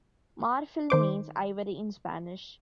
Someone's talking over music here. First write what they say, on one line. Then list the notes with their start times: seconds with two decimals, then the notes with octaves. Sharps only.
Marfil means 'Ivory', in Spanish.
0.90 D#3 C5 D6